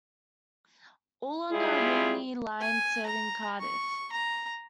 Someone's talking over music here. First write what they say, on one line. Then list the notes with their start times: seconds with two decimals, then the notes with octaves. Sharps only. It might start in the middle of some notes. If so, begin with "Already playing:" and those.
All on the Rhymney Line serving Cardiff.
1.51 G3 G#3 E4 F4 G#4
2.61 G#5
3.06 A#5
3.60 C#6
4.12 A#5